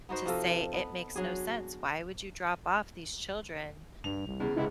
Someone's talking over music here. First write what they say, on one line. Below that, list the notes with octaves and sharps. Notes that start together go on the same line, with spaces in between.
to say "It makes no sense. Why would you drop off these children
B3 D#4 F#4 C5
C3 F3 A4 D#5
B3
F#3 D4 G#4
G2 F7
C2
E2 C#3
F1 C#2 G#2 E4